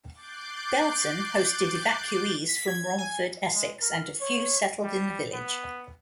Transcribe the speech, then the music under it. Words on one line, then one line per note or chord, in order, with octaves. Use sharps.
Belton hosted evacuees from Romford, Essex and a few settled in the village.
D6 F#6 G6 A6 C7 D7
B6
G#6
G#5
G#3
A#4
C#5
G3
B3